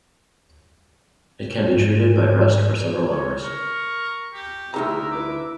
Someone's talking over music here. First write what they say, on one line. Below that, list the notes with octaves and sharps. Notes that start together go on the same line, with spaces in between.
It can be treated by rest for several hours.
G#2
C#5
A#4 C#6
G4
D2 D#4 E4 G4 G#4 A#4 E5 A#5
E4 B4 D6